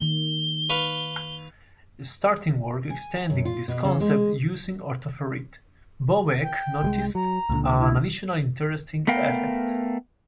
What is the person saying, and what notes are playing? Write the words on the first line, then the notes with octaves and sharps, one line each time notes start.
Starting work extending this concept using orthoferrite, Bobeck noticed an additional interesting effect.
D#3 A#3 G7
B4 F5 C#6
G#5
F#2
F4
B2
C#3
G#3
G5
C2 G3 G#3
F#3 A#5
C#2 A#2 D3
E4
A3 B3 A#4 F5 G5